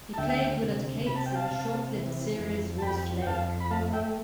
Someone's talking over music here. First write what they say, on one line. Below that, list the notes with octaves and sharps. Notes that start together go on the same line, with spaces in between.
He played Willard Cates in the short-lived series Wolf Lake.
A5
D2 E5 G5
C3
C3 B5
A5
G5
F5 A5
C3
E3
F2
A5
F2 G5 B5
G5
F2 F5 A5
B5
A3 F5 A5
E5 G5